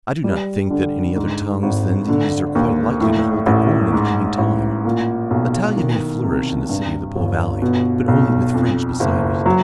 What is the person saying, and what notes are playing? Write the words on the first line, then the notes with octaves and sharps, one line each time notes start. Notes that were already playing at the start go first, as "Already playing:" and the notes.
I do not think that any other tongues than these are quite likely to hold their own in the coming time. Italian may flourish in the city of the Po valley, but only with French beside it.
G3
D3
G#2
G#1
D3
D#2
A2
A1
G#2
A1
A#2
B1
D#3
C3
G2
G1
B2
B1
F2
F#1
F#3